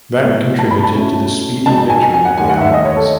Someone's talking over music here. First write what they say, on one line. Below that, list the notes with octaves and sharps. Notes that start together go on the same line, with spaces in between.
That contributed to the speedy victory of the Allies.
A2 F#3 B3 E4
A5
B5
A5
B2 A3 C#4 E4
B2 G#3 D#4 A5
A5
G#5
G#5
G#5
F#5
D#2 D#3 A3 D#4 G#5
F#5
E5
D#5
C#5
A4